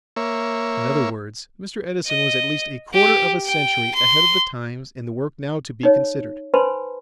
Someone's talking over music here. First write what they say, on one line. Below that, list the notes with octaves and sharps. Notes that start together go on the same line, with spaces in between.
In other words, Mr. Edison was at least a quarter of a century ahead of the times in the work now to be considered.
A#3 C#5 E5
D#5
G4
G5
C6
D#4 C#5
B4 C5 G#5 A5 B5 C6